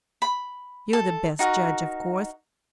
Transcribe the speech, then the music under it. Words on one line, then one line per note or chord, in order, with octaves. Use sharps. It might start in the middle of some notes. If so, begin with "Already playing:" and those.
You're the best judge of course.
B5
A4
D#4 F#4 A#4